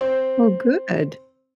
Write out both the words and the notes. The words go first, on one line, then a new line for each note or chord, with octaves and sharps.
Oh, good.
C4